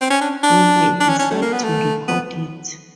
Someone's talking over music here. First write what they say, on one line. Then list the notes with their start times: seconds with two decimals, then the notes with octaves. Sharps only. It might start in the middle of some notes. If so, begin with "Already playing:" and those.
We may decide to record it.
0.01 C4
0.10 C#4
0.21 D4
0.43 D4
1.00 D4
1.09 C#4
1.19 C#4
1.30 A3
1.42 A#3
1.52 B3
1.63 A3
2.08 B3